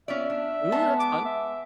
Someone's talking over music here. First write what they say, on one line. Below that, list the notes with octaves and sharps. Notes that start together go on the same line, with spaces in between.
Ooh, that's fun.
C#4 F4 D5 E5
D4
G#3 B3 A5
D6
E5